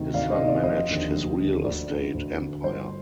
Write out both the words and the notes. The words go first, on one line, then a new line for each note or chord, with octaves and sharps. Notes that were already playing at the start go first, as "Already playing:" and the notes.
His son managed his real estate empire.
Already playing: D2 C3 D#3
D2 D5 F5
C5 D#5
C3 D#3
D5
F1 C5 D#5
D#2 D3
F1
D#2 D3
D2 D5
D3
D2
D3
G1 C5